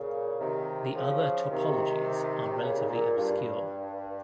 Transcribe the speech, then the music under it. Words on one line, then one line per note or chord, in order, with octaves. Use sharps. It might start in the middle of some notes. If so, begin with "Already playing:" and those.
The other topologies are relatively obscure.
Already playing: A#2 C#3
C3 D#3
C#3 F3
C3 D#3
C3
A#2 C#3
G#2
A#2
G2